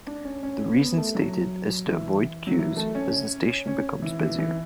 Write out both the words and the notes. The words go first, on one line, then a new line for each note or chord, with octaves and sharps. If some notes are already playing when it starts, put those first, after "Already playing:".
The reason stated is to avoid queues as the station becomes busier.
D4
C#4
C#4
B3
A3
F#3
E3
F#3
E3
A3
C#4
C#4
E3
E3
E3